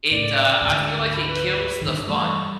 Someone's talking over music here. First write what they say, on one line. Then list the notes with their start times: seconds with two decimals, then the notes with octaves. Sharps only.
it, uh, I feel like it kills the fun.
0.11 A2 C#3 D5
0.61 D2 G#2
1.12 B5
1.27 B4
1.81 G2 D#3
2.07 E3 G3 A3 C#6